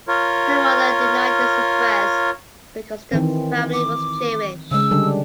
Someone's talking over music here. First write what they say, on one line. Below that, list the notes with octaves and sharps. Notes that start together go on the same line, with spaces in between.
Her mother denied this request because the family was Jewish.
F4 A#4 C#5
D#3 E3 C4
D6
C#3 G#3 E6
D3 G3 D4